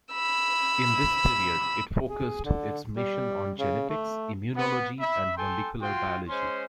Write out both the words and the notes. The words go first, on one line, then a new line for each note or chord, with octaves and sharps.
In this period it focused its mission on genetics, immunology, and molecular biology.
B5 E6
G#4
D3
G3
C#3
A3
B3
E5 B5
A4 G5 G#5 C6
F4 F#4 G5 C6
G#3 C#4 C5 C6